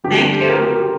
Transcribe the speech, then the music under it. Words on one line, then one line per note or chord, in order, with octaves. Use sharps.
Thank you.
F2 D3 G3 G4
C5
A#4
G4
A#4
G4